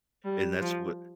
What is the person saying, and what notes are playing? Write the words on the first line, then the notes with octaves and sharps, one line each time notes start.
And that's what
G3
F3